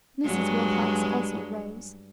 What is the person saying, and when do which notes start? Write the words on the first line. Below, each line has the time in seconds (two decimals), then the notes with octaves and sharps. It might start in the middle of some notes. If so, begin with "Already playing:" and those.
Mrs. Wilcox also rose.
0.25 G2 F#3 G#3